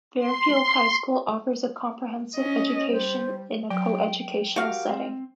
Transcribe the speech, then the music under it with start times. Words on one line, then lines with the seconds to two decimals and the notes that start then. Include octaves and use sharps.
Fairfield High School offers a comprehensive education in a coeducational setting.
0.18 C6
2.36 C#4 D#5
2.90 G3 C5
3.70 F#3 G5
4.56 F#4 G4 A#4 F5
4.89 C4